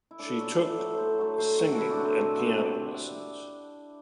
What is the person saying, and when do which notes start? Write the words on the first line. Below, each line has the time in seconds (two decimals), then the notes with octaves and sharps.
She took singing and piano lessons.
0.11 E4
0.19 A2 D4
0.28 E4
0.39 F#3 A3 F#4
0.49 G4
0.59 A2 A4
0.78 F#3 A3
0.97 A2 C5
1.18 F#3 A3
1.38 A2 C5
1.57 F#3 A3
1.72 F#4
1.77 C3 E4
1.91 D4
1.97 F#3 A3
2.04 C4
2.17 C3
2.37 F#3 A3
2.57 C3